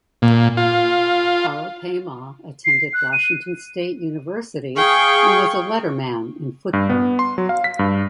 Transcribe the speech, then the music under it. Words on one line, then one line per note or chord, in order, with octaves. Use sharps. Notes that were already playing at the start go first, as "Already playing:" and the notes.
Karl Paymah attended Washington State University and was a letterman in football.
A#2
F4
C7
F#6
D#7
G#4 F5 G5 C#6
G2
B3
C6
F#3
F5
B6
G2